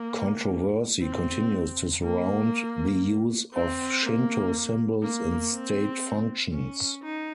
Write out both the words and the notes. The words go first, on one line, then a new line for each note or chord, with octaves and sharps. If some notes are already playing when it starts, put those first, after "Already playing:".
Controversy continues to surround the use of Shinto symbols in state functions.
Already playing: A#3
C4
A#3
C4
A#3
A#3
C4
C#4
D#4